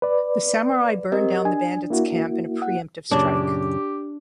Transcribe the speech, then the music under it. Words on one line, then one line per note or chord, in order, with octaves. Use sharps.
The samurai burn down the bandits' camp in a pre-emptive strike.
B4 D5
C4 G4 A#4 D#5
D4 G#5
A#3 E4 F#4
F#5
F#2 A#2 C#3 D4 G4